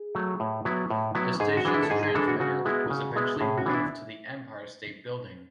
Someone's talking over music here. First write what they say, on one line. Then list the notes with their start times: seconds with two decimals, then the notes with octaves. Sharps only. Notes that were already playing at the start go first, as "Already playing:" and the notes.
The station's transmitter was eventually moved to the Empire State Building.
Already playing: G#4
0.15 F#3 A3
0.40 A2
0.65 F#3 B3 E4
0.90 A2
1.15 F#3 B3 E4
1.40 G#2 G#4
1.57 F#4
1.65 E3 G#3 D4
1.74 E4
1.83 A4
1.90 G#2 G#4
2.03 G#4
2.15 E3 G#3 D4 A4
2.28 F#4
2.40 C#3 F#4
2.65 G#3 B3 E4
2.90 C#3
3.16 G#3 B3 E4
3.40 A2 G#4
3.58 F#4
3.66 E3 B3 D4
3.74 E4